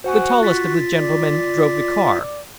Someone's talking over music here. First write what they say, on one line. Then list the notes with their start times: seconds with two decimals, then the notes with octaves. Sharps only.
The tallest of the gentlemen drove the car.
0.04 F#4 C5 F#5 G#5
0.42 F4 A6 B6
0.96 D5